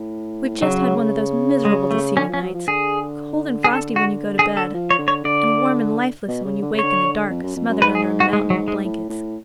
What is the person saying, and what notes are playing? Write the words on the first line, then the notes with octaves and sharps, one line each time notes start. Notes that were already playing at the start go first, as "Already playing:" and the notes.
We've just had one of those miserable deceiving nights--cold and frosty when you go to bed, and warm and lifeless when you wake in the dark, smothered under a mountain of blankets.
Already playing: A2
C#3 F#3
G#3
A3
D3 C#4
F3 C#4
F#3
F3
D3 G#4
G#4
A4
F#4
G#4
A4
F3
C#5
D3
C#5
D3 D5
B2
C#3
D3
C#3
D3 C#5
F2
F#2
F2
F#2
G#2 B4
G#4
F#4
G#3
F#3
G#3
A2
A2